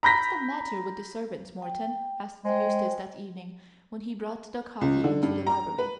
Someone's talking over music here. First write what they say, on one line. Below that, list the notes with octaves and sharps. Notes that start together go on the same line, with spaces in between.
"What's the matter with the servants, Morton?" asked Eustace that evening when he brought the coffee into the library.
A#5 B5 G6 A#6 B6
G5
G#3 C5 D#5 G5
C#2
D3
G2
A#5
B4